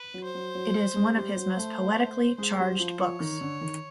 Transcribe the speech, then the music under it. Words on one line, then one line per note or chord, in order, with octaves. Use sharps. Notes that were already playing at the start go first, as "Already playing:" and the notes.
It is one of his most poetically charged books.
Already playing: B4
F#3
C5
F#3
F#3
G#3
G3 C5
F#3
A3
G#3 C5
G3
F3
F3 C#5
D#3
D3
D#3